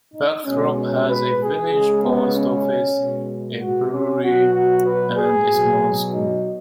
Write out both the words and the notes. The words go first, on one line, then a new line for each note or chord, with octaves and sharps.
Bugthorpe has a village post office, a brewery and a small school.
D#4
B2 G#3 C#4
C#4
B4
G#4
C#3 G#3 G#4
B3
C#4
B2 G#3
F#4
C#4
B2 F#3 F#4
F#4
B4
G#4
B2 F#3
D#4